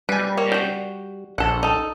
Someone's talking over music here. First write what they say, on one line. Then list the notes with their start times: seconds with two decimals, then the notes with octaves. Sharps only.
every day?
0.09 G3 B4 G#5
0.37 A#3 C#5
0.52 F#4 G5
1.38 A#1 A4 F#5
1.63 D#4 A4